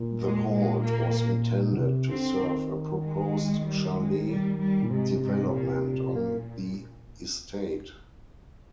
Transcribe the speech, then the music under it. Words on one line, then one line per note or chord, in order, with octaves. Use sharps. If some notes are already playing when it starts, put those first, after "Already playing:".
The halt was intended to serve a proposed chalet development on the estate.
Already playing: A#2
G#3
G#3
A#3
D3
C3
D3 C4
D#3
G#3
G3
G#3
G3
G3
A#2
G#2 C3
G#2
A#2
A#2
A#3